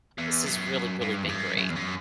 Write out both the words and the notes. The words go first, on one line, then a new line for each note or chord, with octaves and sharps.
this has really, really been great.
E2
F#2
G2
E2
F#2
F#2
E2
F#2